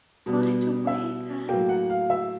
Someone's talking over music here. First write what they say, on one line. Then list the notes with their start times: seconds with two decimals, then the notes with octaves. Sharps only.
Find a way, then!
0.26 B2 G3 B3
0.87 E5
1.49 A2 F#3 A#3 G5
1.69 F#5
1.89 F5
2.10 E5